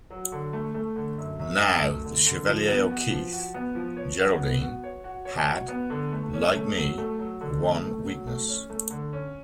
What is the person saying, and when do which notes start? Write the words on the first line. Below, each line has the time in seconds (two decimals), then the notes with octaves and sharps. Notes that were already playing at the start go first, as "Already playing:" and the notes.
Now the Chevalier O'Keefe, Geraldine, had, like me, one weakness.
0.10 F#3
0.32 D3
0.53 A3
0.74 A3
0.96 D3
1.18 F#2
1.39 F#2
1.61 F#2
1.83 A3
2.04 D3
2.26 D3
2.47 F3
2.68 B3
2.90 F#4
3.11 F3
3.32 F#4
3.54 B3
3.75 F3
3.97 C#5
4.19 F#4
4.40 B3
4.61 F#4
4.84 C#5
5.04 F#4
5.25 C#5
5.47 F#4
5.68 B3
5.90 D3
6.12 A3
6.33 C#4
6.55 A3
6.77 F#3
6.98 A3
7.19 F#3
7.41 D3
7.62 A3
7.83 A3
8.05 F#3
8.27 A3
8.48 C#4
8.70 A3
8.90 D3
9.13 C#4